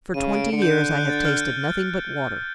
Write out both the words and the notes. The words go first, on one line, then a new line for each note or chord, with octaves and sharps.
"For twenty years I have tasted nothing but water."
C#3 D#7
D7
D3 C#7
G6
F#6
G6
F#6
G6
A6
G6
F6
F#6